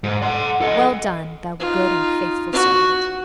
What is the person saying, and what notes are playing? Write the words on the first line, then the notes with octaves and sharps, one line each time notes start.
Well done, thou good and faithful servant!
G#2
F#5 C6
A4 D#5
D#4 F4
F#4